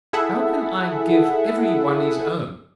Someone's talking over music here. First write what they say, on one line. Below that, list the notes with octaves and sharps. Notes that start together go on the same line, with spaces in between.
How can I give every one his own!
E4 G#4 A4 E5 F#5